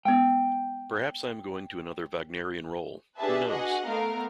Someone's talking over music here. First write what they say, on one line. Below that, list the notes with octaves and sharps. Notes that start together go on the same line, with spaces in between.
Perhaps I am going to another Wagnerian role - who knows?
G#3 B3 G5
D4 G4 G#4 B4 E5 A5
F#4 G#4 D#5 F#5
A3 B3 A#4 F5